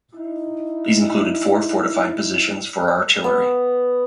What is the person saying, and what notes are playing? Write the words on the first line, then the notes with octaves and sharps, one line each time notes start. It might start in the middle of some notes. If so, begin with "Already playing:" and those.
These included four fortified positions for artillery.
D#4 E4
B3